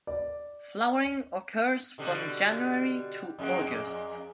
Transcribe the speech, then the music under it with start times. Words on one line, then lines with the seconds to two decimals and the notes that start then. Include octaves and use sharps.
Flowering occurs from January to August.
0.07 D5
1.98 B2 D3 G3
3.39 F2 G#3 A#3